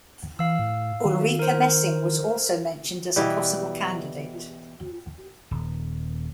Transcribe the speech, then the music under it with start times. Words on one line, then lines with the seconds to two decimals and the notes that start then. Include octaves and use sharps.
Ulrica Messing was also mentioned as a possible candidate.
0.39 E3 F5 E6
0.59 A2
1.05 D#3
1.39 A#4 C5
3.16 B2 E3 G3
5.51 D#1